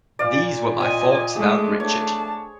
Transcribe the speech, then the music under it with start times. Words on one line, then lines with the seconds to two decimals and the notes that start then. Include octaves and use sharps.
These were my thoughts about Richard.
0.19 A#2 D5 F5
0.81 C4 D#5 G#5
1.36 G#3 A3 G#4
1.80 A3 D4 C#5 A5